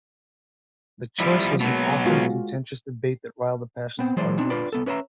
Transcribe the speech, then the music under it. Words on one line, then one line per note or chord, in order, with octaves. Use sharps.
The choice was an often contentious debate that riled the passions of party leaders.
F3 G3 E4
B2 F#3 G#3 A#3
G#3 F4 F#4
B3 C4
E3 F#3 G#3 E4 C5 D5
C4 D4 D#4
D4 F4 B4 D5
C2 B3 A4
C#4 B4 C#5 D#5 E5 A#5